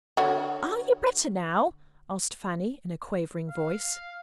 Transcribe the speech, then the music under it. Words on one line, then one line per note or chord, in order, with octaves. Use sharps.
'Are you better now?' asked Fanny, in a quavering voice.
D3 F#4 C#5
F5